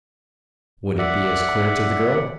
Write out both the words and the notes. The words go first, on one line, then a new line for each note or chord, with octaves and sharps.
Would it be as clear to the girl?
D5 E5 F#5